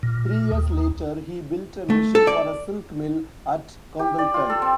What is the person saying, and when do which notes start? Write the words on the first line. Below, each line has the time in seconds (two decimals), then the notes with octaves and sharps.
Three years later he built a machine for a silk mill at Congleton.
0.03 A#2
0.52 D#2
1.90 A3
2.15 A4
2.27 D5
3.99 G4
4.18 D5
4.34 F4
4.50 A4
4.62 C4